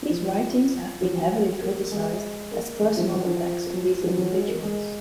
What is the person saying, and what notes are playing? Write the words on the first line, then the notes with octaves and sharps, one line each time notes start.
These writings have been heavily criticized as personal attacks on these individuals.
F3
F3
F#3
A#3
G#3
A#3
G#3
F3
F#3
F3
F3
F#3
G#3
A#3
G#3